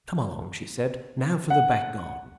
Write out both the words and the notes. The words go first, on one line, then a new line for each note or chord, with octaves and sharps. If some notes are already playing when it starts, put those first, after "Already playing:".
"Come along," she said; "now for the back garden."
F#5